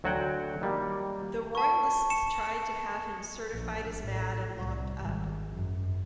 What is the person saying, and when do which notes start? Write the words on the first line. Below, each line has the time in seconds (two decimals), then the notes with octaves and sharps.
The royalists tried to have him certified as mad and locked up.
0.04 D2 F#3 F#4 C#5 F#5 G5
0.61 D#3 G3 A#3
1.55 A5 C#6
2.10 C#7 E7
3.53 A#1
4.01 A2
4.63 C2
4.98 G#1
5.50 F#2